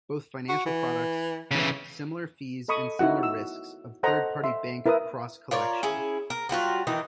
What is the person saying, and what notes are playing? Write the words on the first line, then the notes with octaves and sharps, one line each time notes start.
Both financial products have similar fees and similar risks of third-party bank "cross-collection".
F#4
E3
C#3 E3
A4 D#5 B5 C#6 D#6
D#4 E4 F#4 F#5
E6
A4 C5 D#5 F#5 A#5
E5 C6
E4 A#4 B4 E5 D#6
F4 A#4 C#5 D5
C#4 E4 G#4
A#4
F#3 G3 F4 F#4
D#3 E3 D#4